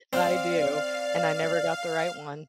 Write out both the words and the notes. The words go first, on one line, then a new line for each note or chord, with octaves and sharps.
I do, and I never got the right one.
C4 D5 F5